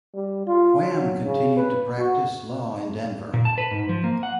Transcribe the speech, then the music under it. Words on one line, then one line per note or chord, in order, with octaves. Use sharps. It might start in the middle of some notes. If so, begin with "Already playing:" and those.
Wham continued to practice law in Denver.
G3
F4
F#3
C#3
B4
F#4
A#2
A5
B4
G#2
F3
A#3
F#5